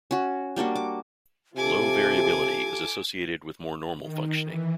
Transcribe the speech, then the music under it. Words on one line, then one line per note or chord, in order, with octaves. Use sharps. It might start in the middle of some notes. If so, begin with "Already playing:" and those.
Low variability is associated with more normal functioning.
C#4 F#4
G3 A#3 D4 F#4
D6
C3 F4 G4 A4 G#5 D6
D#3
E3